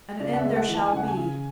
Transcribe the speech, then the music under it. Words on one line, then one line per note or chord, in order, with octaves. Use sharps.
And an end there shall be.
C#3 D5
F#5
E5
G#3
F#5
E3
A5
G#5
C#3 F#5
G#5
C#3